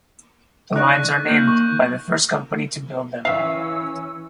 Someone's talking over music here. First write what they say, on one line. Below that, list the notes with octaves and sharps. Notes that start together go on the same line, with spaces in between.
The lines are named by the first company to build them.
D#4 D5 C#6 F#6
A#3 D#4 G6 F#7
C#6
E3 C#4 E5 F5 E6